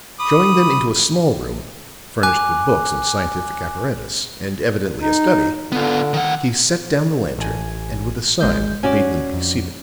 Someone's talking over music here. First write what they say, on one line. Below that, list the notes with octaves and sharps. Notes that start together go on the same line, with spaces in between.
Showing them into a small room furnished with books and scientific apparatus and evidently a study, he set down the lantern and with a sign bade them be seated.
B5 D6 D#6
G#5 D6 F#6
D#4
D3 B3 F4
D#3 F#5
A1 G#5
G#1 G#3 G6
C#4 F#4 D5 G#5
F2